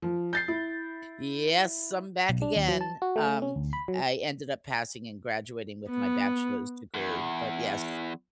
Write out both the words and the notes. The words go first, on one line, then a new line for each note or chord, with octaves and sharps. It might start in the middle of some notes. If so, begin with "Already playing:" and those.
"Yes, I'm back again." Um, I ended up passing and graduating with my bachelor's degree, but yes.
F3
G6 A6 C7
E4
B1
D4
D#2
F#3
A5
F#4
A3
A3
C#4
D2
B5
F#3
B3
E2